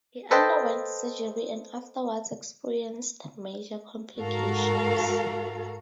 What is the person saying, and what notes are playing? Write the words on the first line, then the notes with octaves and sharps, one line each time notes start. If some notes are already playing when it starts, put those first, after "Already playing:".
He underwent surgery and afterwards, experienced major complications.
A4 B4 C5 D#5 G5 A5
G#2 F#4 A4 A#4 F5